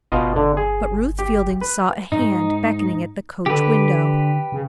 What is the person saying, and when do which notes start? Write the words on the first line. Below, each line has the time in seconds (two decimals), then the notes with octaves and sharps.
But Ruth Fielding saw a hand beckoning at the coach window.
0.12 G1 B2 F4 D#5
0.36 D3
0.57 G#4
1.19 G4
1.61 B4
2.12 G#2 D#4
3.46 D3 G4 B4
4.52 C#3